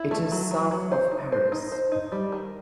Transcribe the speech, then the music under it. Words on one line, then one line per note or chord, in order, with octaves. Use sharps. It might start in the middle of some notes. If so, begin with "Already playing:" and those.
It is south of Paris.
Already playing: E4
A3
F#3
F#3
F#3
C5
D#4
C5
D#4
C5
D#4
G3
D#3